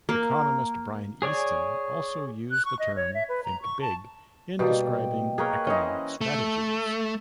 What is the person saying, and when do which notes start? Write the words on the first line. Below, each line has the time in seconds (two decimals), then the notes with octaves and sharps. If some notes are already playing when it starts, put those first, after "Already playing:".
Economist Brian Easton also used the term "think big" in describing economic strategies.
0.09 A#3
1.22 G#4 C#5 D5 G#5
2.51 F#6
2.65 C#6
2.79 D#5
2.96 C#5
3.14 E5
3.29 B4
3.44 A#5
3.62 C#6
3.81 A5
4.59 B2 G3 A#3 D#5 G5
5.38 A#3 G#4 A#4 B4 C#5 G5
5.67 E3 C#4 C5 D#5
6.21 A3